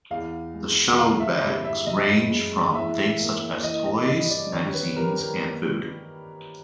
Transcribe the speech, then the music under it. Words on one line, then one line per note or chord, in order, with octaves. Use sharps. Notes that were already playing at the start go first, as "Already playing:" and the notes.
The showbags range from things such as toys, magazines, and food.
E2 F5
G#3
F#5
D3 F5
E5
G2
E5
F#2 D#5
G#3
E3 E5
A#3
E3 D#5
D#5
G2 D#5
D5
D#3 C#5
B4
G3 A#4
A#4